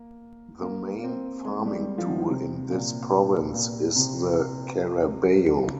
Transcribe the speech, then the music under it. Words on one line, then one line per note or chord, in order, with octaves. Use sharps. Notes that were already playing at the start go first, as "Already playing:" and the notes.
The main farming tool in this province is the carabao.
Already playing: A#3
A#3
A#3
C4
G#3
G3
F3
D#3
C3
A#2
A#2
A#2
C3
D#3
C#3